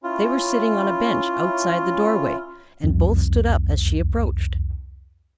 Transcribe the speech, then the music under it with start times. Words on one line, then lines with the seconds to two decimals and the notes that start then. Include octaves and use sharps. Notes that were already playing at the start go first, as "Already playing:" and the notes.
They were sitting on a bench outside the doorway and both stood up as she approached.
0.04 C#4 E4 F4
2.84 C2 F2